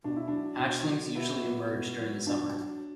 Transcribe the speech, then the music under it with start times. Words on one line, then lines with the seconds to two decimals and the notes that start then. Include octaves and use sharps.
Hatchlings usually emerge during the summer.
0.04 B2 D4
0.16 E4
0.28 F#3 D4
0.59 B2
0.88 F#3
1.15 B2 B3 E4
1.44 F#3
1.71 B2
2.00 F#3
2.27 B2 D4
2.56 F#3